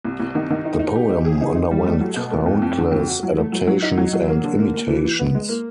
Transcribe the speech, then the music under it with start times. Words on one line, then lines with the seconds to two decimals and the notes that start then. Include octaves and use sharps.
The poem underwent countless adaptations and imitations.
0.05 C2
0.19 C2
0.35 D#3
0.50 D#3
0.65 D#4
0.79 D#4
0.96 G4
1.10 G4
1.25 G#4
1.41 D#4
1.55 D#4
1.71 G3
1.86 A3
2.01 F#3
2.16 B2
2.31 A3
2.46 F2
2.62 F2
2.77 D3
2.91 F2
3.08 F#4
3.23 F#3
3.38 A3
3.52 F#3
3.67 F#3
3.82 D#4
3.97 F#3
4.13 F#3
4.28 A#3
4.44 D3
4.59 A#3
4.74 A#3
4.88 E3
5.04 E3
5.19 B3
5.35 G#3
5.49 A#3